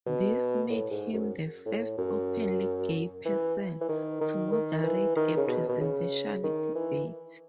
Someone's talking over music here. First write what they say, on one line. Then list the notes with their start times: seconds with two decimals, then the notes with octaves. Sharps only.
This made him the first openly gay person to moderate a presidential debate.
0.06 B2
0.70 A2
0.91 G#2
1.13 F#2
1.66 A2
1.98 F#2
3.25 E3
3.81 E3
3.89 D#3
4.21 D#3
4.52 D#3
4.83 E3
5.16 D#3
5.37 C#3
5.48 B2
5.69 B2
5.80 C#3
6.43 D#3
6.75 E3